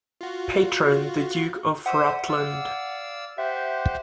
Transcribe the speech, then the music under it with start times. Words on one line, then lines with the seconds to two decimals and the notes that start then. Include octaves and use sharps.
Patron, the Duke of Rutland.
0.21 F4 F#4
1.86 C5 E5 F#5 D#6
2.29 D5 F5 E6
3.38 G4 C5 E5 F#5